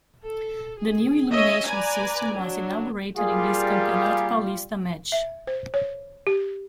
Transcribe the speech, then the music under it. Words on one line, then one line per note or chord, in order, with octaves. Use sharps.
The new illumination system was inaugurated in this Campeonato Paulista match.
A4
G#4
C#4 C#5 D#5 E5
B4 D5 G#5 A#5
F#3 D4
G3 A#3 F4 G#4
E5
C5
C#5
G4